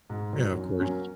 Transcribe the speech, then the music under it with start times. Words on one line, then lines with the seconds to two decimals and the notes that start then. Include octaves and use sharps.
Yeah, of course.
0.10 G#2
0.33 D#3 F#3
0.57 F#2
0.80 F#3 A#3 C#4